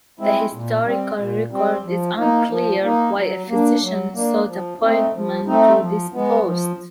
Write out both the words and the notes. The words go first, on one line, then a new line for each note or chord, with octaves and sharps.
The historical record is unclear why a physician sought appointment to this post.
G#3 C4 E4
A#2
G3 C4
A#2
G3 C4
F3
A#3 D#4
F3
A#3 D#4
F#3
A#3 D4
F#3
A#3 D4
F3
A3 C4 D#4
F3
A3 C4 D#4
F3
G#3 B3
F3